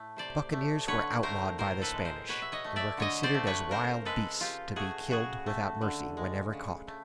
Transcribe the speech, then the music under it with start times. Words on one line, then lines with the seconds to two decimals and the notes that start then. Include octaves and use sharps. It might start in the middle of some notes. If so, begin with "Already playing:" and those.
Buccaneers were outlawed by the Spanish, and were considered as wild beasts to be killed without mercy wherever caught.
Already playing: A2 A3
0.17 C3 C5 D5
0.52 A3
0.87 D3 B4 C#5
1.23 A3 A#4 C5
1.58 A2 A#4 C5
1.82 A4 B4
1.94 G#3
2.05 A#4 C5
2.28 B2 B4 C#5
2.42 E5
2.52 C#5 D#5
2.64 A3
2.76 D5 E5
2.97 D3 C#5 D#5
3.23 C5 D5
3.34 A3
3.47 B4 C#5
3.69 C#3 A#4 C5
4.05 G#3 A4 B4
4.41 C#3 F4 G4
4.76 A3 F#4 G#4
5.09 C#3 F#4 G#4
5.46 A3
5.81 D3
6.17 G#3
6.53 C#3
6.87 A3